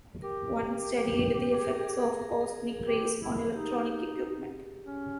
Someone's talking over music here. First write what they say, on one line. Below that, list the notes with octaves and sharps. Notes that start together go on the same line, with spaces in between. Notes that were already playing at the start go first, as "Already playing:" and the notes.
One studied the effects of cosmic rays on electronic equipment.
G4 A#4
G#4
A#4
G#4
A#4
G#4
A#4
G#4
A#4
G#4
A#4
G#4
A#4
G#4
G4 G#4
E4
D#4 G4
C#4